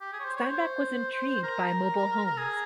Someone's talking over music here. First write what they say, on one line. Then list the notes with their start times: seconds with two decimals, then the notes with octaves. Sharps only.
Steinbeck was intrigued by mobile homes.
0.01 G4
0.13 G#4
0.20 C#5
0.25 C5
0.36 C#5
0.48 C5
1.43 A#4
2.26 A#4
2.38 G#4